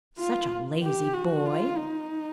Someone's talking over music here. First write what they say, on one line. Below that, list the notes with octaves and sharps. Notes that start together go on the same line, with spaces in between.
Such a lazy boy!
F4
G4
F#4
F4
D#4